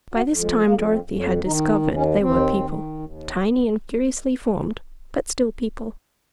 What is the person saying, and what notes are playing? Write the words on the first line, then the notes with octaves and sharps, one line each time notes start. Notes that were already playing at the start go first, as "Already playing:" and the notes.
By this time Dorothy had discovered they were people, tiny and curiously formed, but still people.
F#4
F2
G#3
F2 A#3
C4
F2
C#4
D#3 D#4
D#4
D#2
C#4
D#2 C4
D#3
D#2